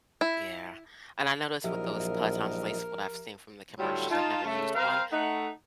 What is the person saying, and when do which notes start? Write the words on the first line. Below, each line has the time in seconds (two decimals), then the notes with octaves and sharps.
Yeah, and I noticed with those pelotons, at least what I've seen from the commercials, I've never used one.
0.21 E4
1.64 A#1 F3 F#3 E4 G4 A#4 D#5 E5
3.78 A2 D3 F#3 G3 E4 F4
4.09 D#4 F4 A5
4.44 C#3 A3
4.75 G3 C4 A#4 C5 F5
5.12 A3 D#4 F#5